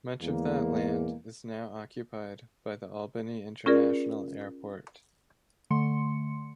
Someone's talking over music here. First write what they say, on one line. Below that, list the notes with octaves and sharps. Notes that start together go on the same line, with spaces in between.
Much of that land is now occupied by the Albany International Airport.
E2 G#3 A#3
C#4 F4 G#4 A#4 D5
D3 A3 C6 C#7